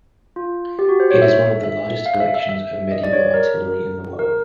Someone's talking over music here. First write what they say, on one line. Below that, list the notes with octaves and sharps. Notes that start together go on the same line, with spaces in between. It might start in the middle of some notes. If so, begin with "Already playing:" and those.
It is one of the largest collections of medieval artillery in the world.
F4
G4
F#4
C5
C#5
E5
E5
F5
E5
E5
E5
D#5
D5
C#5
A#4
A#4